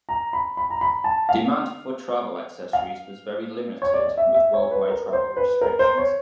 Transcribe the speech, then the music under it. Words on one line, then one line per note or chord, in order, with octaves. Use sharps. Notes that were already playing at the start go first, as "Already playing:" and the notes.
Demand for travel accessories was very limited with worldwide travel restrictions.
A#5
B5
B5
A#5
B5
A5
F5
F5
C#5
D5
D#5
E5
E5
C#5
B4
A#4
C5
B4
A#4
C5
C#5